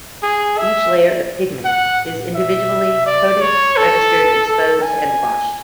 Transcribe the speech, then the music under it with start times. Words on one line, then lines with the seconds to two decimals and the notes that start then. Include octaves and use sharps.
Each layer of pigment is individually coated, registered, exposed and washed.
0.23 G#4
0.58 E5
1.65 F#5
2.35 E5
3.06 D5
3.41 C#5
3.77 A4
4.48 A4
4.83 G#5